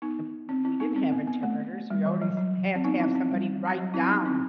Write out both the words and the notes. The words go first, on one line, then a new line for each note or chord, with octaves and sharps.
and we didn't have interpreters, we already s had to have somebody write down
B3 D#4
C4
C4 E4
B3 D#4
C4
B3
B3
A3
G3
E3
F#3
F#3
C4
B3 D#4
C4 E4
C4
G3
F#3
C4 E4
B3 D#4
C4 E4